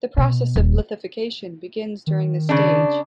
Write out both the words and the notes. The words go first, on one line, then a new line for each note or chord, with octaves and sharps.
The process of "lithification" begins during this stage.
B2
D#1
D#3
C#3 D4